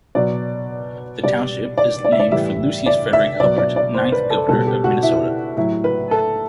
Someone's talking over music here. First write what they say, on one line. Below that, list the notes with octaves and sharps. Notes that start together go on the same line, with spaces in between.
The township is named for Lucius Frederick Hubbard, ninth Governor of Minnesota.
B2 F#3 D5
B2 G3 D5
D5
D5
E5
D5
A2 E3 G3 E5
D5
E5
B2 F#3 D5
D5
D5
C5
B4
A4
B2 G3 A4
G4
F#4
E4
A2 F#3 E4
B4
A4